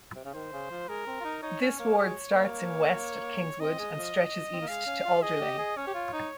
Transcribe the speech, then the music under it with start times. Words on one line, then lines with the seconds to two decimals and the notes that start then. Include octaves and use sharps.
This ward starts in west at Kingswood and stretches east to Alderley.
0.15 C3
0.25 C#3
0.34 D#3 C5
0.52 C#3
0.70 F3
0.88 G#3 A#4
1.07 C4
1.20 F4
1.24 D#4
1.42 D#4 C#5
1.62 C#4
1.79 A#3
1.98 G#3
2.34 A#3
2.52 C#5
3.60 C4 D#5
3.78 G#3
3.96 F3
4.53 C4
4.61 A#3
4.68 G#3 F5
4.86 C#4
5.05 F4
5.22 G#4 D#5
5.40 G4
5.58 G#4
5.77 C#4 C#5
5.87 G4
5.95 F4
6.12 D#4